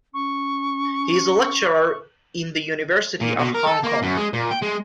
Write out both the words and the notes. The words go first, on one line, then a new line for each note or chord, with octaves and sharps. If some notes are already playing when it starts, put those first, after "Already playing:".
He is a lecturer in at the University of Hong Kong.
C#4 C#6
A#2
B2
A#4
A4
A#3
F#2
G#3
A#2
G5
G#3